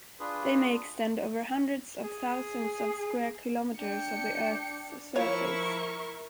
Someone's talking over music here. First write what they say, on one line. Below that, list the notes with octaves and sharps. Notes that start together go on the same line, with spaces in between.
They may extend over hundreds of thousands of square kilometers of the Earth's surface.
D4 F4 G#4 B4
G#4
D4 G5 C#7
F3 E4 F4 A#4 C#5 C#6